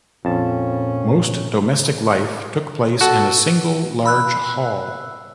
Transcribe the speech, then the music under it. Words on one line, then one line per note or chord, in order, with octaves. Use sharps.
Most domestic life took place in a single large hall.
A#1 F2 C#4 A5
F#4 A4
B5 E6 F#6